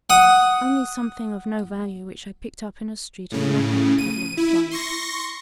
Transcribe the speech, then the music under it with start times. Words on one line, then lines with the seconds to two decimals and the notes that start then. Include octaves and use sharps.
"Only something of no value, which I picked up in a street of Mecca," the peddler replied.
0.10 F#5 D#6
3.32 A2 C#3
3.98 D#7
4.37 E4
4.71 C6 C#6 A#6